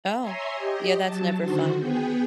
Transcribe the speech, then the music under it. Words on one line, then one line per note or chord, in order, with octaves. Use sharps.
Oh, yeah, that's never fun.
C#5 E5 G#5 A#5 C6
G4 D#5
F#3 A5
D3 D#3 F#4 C5
B3 G#4 G5